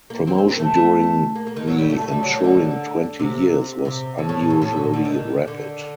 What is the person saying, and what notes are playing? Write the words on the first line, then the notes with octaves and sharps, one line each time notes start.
Promotion during the ensuring twenty years was unusually rapid.
A#3
C4
C4
A#3
A3
A#3
A#3
D#3
F#3
G3
A3
A3
G3
F#3
D#3
D3
C3
C3
A2
A2
A2
F#2
A2
A#2
D3
D#3
D3